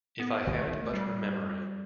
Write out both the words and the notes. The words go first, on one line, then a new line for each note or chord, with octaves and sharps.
If I had but her memory!
B3
A3
G3